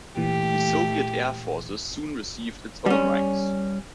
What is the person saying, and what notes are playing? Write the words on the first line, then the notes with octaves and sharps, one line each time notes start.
The Soviet Air Forces soon received its own ranks.
A#2 E3 A3 G4
G3 C#4